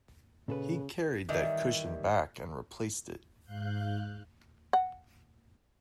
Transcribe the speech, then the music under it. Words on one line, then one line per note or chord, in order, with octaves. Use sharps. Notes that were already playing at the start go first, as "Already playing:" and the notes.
He carried that cushion back and replaced it.
A#2 C#3 A4 B4
D#3 E3 G3
G#2 F5 F#6 G6
F#5